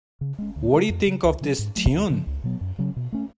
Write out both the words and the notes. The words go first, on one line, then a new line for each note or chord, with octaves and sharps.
What do you think of this Tune?
C#3
G#3 C#4
D2
C#3 G#3
F2
C#3 F#3
C#2
C#3 F#3 C#4
G#2
F#3 A3
D2
C#3 F3
C#2
B2 F#3 B3
F#2
C#3 F#3 C#4
B2
A3 C#4